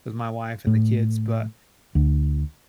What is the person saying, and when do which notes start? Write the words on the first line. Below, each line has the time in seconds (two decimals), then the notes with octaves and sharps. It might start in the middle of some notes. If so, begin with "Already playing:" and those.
with my wife and the kids. But
0.67 A2
1.95 D2